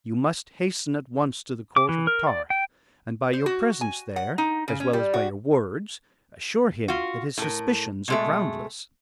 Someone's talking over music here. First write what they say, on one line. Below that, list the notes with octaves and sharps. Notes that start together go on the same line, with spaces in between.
You must hasten at once to the court of Ptarth, and by your presence there as well as by your words assure him that his suspicions are groundless.
D6
E3
A#4
D5
G5
C5
F#4
G#5
F#5
D#4
C#3
C#4
G3
F#4
F4 F#4
A2 A#4
B2 G#3 A3